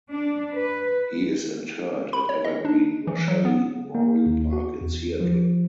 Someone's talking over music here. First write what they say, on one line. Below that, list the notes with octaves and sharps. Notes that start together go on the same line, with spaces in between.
He is interred at Evergreen Washelli Memorial Park in Seattle.
D4
B4
B5
C#5
D#5
D4
E3
F#3
B3
A#3
D#2
F#4
E2
F3